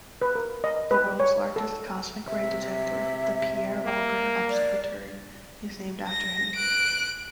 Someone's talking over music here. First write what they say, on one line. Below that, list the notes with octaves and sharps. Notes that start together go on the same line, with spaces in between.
The world's largest cosmic ray detector, the Pierre Auger Observatory, is named after him.
B4
A#4
D#5
B4
C#5
A4
C3 E5
A#3
D5
A#6
F#6 D7